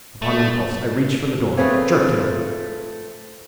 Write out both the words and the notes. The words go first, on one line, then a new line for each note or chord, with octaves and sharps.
Upon impulse I reached for the door, jerked it open.
A3
A3 C4 F4 G#4 B4 C#5